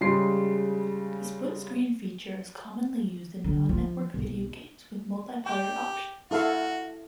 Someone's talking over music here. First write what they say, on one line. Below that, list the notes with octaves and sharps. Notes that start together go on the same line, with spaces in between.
The split screen feature is commonly used in non-networked video games with multiplayer options.
C#3 G3 G#3 C6 C7
D3
F3
B1
G4 G5
E4 F#4 A4 F5